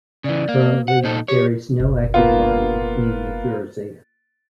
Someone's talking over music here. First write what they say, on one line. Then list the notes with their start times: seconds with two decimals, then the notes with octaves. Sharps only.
Currently, there is no active mining in New Jersey.
0.24 C#3 E3 D5
0.49 A#3
0.88 C5 F#5
1.04 A#2 D#4 A4
1.28 G4 C#5
1.79 F#1 B1
2.14 A#3 B3 F4